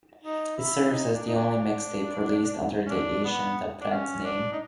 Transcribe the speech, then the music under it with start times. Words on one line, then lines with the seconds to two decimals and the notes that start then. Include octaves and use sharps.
It serves as the only mixtape released under the Asian Da Brat name.
0.23 D#4
0.57 E4
0.90 D#4
1.13 D4
1.27 D#4
1.34 D4
2.86 C#4
2.90 D4
3.24 B3
3.81 D4
3.90 C#4
4.24 D4
4.52 D#4